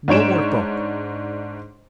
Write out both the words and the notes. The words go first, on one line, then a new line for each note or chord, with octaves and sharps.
No more talk!
G#2 D4 C#5 D7 E7